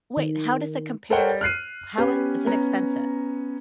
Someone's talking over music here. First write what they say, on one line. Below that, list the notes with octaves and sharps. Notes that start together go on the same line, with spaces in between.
Wait, how does it compare? How is is it expensive?
D#3
A4 A#4 C5 C#5 F#5 G5
F6 F#6 C7 D#7
B3 C#4 G4 B4
B3 C#4 A#5